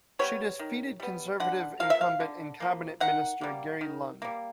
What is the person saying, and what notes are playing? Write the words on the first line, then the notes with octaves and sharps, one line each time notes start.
She defeated Conservative Incumbent and cabinet minister Gary Lunn.
G3 B3 C#5
D#3
G3 B3
D3 F#5
F3 A#3 F5
E5
F5
D3
F3 A#3
D#3 F#5
G3 A#3
D#3
G3 A#3